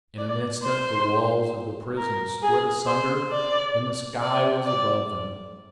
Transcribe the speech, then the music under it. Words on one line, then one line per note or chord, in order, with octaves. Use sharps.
In an instant the walls of the prison split asunder, and the sky was above them.
D5
C5
A#4
G#4
C5
D5
D5
D5